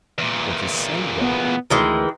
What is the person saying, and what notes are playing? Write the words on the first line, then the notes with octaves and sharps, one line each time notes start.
What is Sago?
E2 A#2
B3
D2 D#3 E3 G#3